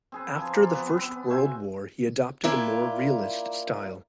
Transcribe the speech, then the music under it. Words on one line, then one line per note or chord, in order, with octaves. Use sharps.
After the First World War he adopted a more realist style.
C4 G#4 B4
F3 G#5 A#5
F4 D5
B3 B4 F#5
B3 C4
F#4 C5 E5 G#5
A#3 D4 E4 F4 D5 G#5